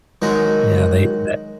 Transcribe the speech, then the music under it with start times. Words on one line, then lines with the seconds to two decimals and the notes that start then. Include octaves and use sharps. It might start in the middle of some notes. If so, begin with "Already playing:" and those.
Yeah, they tha
0.22 D#3 F#3 G#3 D#4